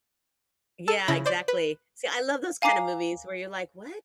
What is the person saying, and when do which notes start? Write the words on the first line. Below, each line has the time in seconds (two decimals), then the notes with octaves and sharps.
Yeah, exactly, see, I love those kind of movies where you're like, "What,
0.88 A4
1.08 C#3 E4 B5 A#6
1.26 C5 D5
1.48 B4
2.62 F5 G#5 A#5 D6 C7